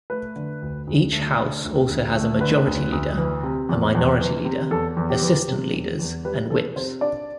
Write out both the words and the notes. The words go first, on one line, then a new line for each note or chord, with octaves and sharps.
Each house also has a Majority Leader, a Minority Leader, assistant Leaders, and whips.
A3 B4
D3
D2
D2
A3
D3
D2
D2
A3
D3 B4
D2
D2
E3
C3
E2
E2
E3
C3
E2 A4
E2
G4
E3
C3
E2
E2
G3 B4
E3 A4
C3 C5
D4 D5